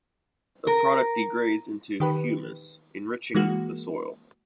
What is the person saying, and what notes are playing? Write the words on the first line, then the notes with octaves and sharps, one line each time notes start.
The product degrades into humus, enriching the soil.
A#4
D#3 G4 B4
E3 G#3 A#3 F#4